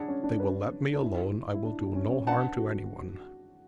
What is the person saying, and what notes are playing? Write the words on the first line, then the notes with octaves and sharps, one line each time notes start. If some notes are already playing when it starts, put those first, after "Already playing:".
If they will let me alone, I will do no harm to any one.'
Already playing: D4 E4 G#4 C#5 F#5
C#4
D4
B4
D4
E4
E4
D4
D4
C#4
C#4
C#4
D4 B4 F#5 A5
F#4